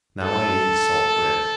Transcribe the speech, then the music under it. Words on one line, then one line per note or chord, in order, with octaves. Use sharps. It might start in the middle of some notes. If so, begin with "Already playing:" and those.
Now I eat his salt bread.
A4